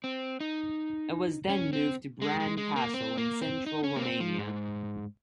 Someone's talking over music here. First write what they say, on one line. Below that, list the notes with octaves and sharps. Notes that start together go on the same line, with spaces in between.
It was then moved to Bran Castle, in central Romania.
C4
D#4
C#4
C4
G#3
G#3
G#3
A#3
C4
A#3
C4
D#4
C#4
A#3
C4
F3
G#2